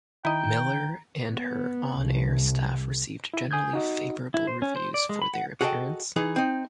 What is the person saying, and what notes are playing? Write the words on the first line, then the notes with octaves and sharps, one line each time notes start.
Miller and her on-air staff received generally favorable reviews for their appearance.
D#3 E4 D#5 G5 A#5
B3
C2
E4
G#5 D#6 G6 G#6
D#4 F#4 D#5
E4
C5
C#4
C5
D5
G#3
B5
F#5
F#4 G#4 A4 D#5 E5 G5
E3 D#4 G#4
C4 D#4